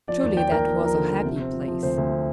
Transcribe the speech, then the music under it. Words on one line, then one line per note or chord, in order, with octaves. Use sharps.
Truly that was a happy place.
F3 D5
D#2
F3 G5
D#2 A#4
F3
F3 A#4
D3
F3
C3
C4
F3
F3
D2 C5
D2
C4